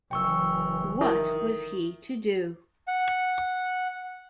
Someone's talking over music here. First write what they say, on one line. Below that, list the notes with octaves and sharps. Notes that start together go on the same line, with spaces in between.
What was he to do?
F#1 E3 G5 C#6 E6
D#3 E4 E5 D#6
F#5